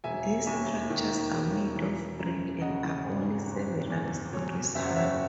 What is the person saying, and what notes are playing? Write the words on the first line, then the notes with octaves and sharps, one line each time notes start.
These structures are made of brick and are only several stories high.
E1 E5 G#5
D#2 E5 G#5
D#3
E1
E3
F#2
C#3 D#5 F#5
G#1
F#1
E2
B2 C#5
F#1 E5
F#5
C#5 E5